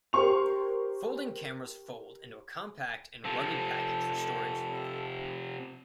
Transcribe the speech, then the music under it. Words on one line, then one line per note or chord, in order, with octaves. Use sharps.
Folding cameras fold into a compact and rugged package for storage.
G4 A#4 C5 C6 C#6 F7
C3 F3 A4